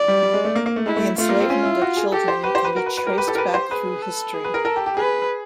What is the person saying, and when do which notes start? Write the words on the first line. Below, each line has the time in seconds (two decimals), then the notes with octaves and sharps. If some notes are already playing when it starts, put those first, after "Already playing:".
The enslavement of children can be traced back through history.
Already playing: D5
0.08 G3
0.23 G3
0.34 G#3
0.44 A3
0.55 A#3
0.66 A#3
0.76 A3
0.86 G#3 E4
0.96 A3
1.18 A3 F4
1.29 A#3
1.40 C4
1.50 C#4
1.65 E4
1.82 F#4
1.97 G#4
2.12 G4 A4
2.28 C5
2.44 G4 B4
2.55 C5
2.65 B4
2.75 F#4 A#4
2.86 B4
2.97 B4
3.07 G4 A#4
3.18 B4
3.28 A4
3.35 A#4
3.38 B4
3.54 C5
3.70 G#4 B4
4.02 A4
4.33 G#4
4.44 B4
4.54 A#4
4.65 A4 A#4
4.76 G4
4.86 G4
4.97 G#4 B4